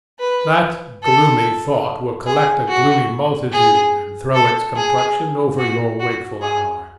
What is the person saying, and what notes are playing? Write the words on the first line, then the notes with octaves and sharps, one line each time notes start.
That gloomy thought will collect a gloomy multitude and throw its complexion over your wakeful hour.
B4
A4
G#4
F#4
G#4
A4
G#4
F#4
F#4
G#4